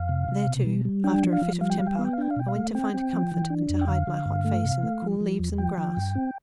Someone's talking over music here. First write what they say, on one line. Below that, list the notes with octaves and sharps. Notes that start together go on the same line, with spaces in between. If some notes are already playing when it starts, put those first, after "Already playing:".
There, too, after a fit of temper, I went to find comfort and to hide my hot face in the cool leaves and grass.
Already playing: F2 F5
C3
C3
B2
G3
G3
D4 G5
F3
F5
F3
G3 F5
G5
G3 F5
G5
F5
B3
G5
F5
D4 G5
F5
B2 G5
F5
A3
C4 G5
C4
F3
E3
D4
F2
G5
D3 F5
D3
G2
A3
C3
A3
F3
F3
E2
F3 G5
F3
G2
C4